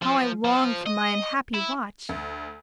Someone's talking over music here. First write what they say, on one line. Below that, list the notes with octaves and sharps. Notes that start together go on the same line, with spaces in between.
How I longed for my unhappy watch!
F3
F3
D#5
E4
D2